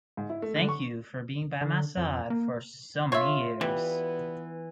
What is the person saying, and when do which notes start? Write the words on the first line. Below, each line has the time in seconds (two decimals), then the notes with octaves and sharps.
Thank you for being by my side for so many years.
0.17 G#2
0.29 E4
0.42 A3
0.56 D3
0.69 C#6
1.61 D3
1.97 F2
2.30 A#3
3.12 F4 C#5 E5
3.61 E3 G3 B3